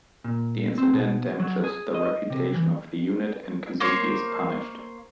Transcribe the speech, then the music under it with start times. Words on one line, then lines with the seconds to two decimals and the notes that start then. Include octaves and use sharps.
The incident damages the reputation of the unit and Kazuki is punished.
0.24 A#2
0.78 C4
0.93 B2
1.40 F#3
1.64 G#4
1.94 D#5
2.30 C3
2.54 E3
3.80 A#3 C5 C#5